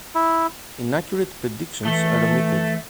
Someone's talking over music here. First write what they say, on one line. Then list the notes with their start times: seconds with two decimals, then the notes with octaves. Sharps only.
Inaccurate predictions are omitted.
0.15 E4
1.85 E3 A3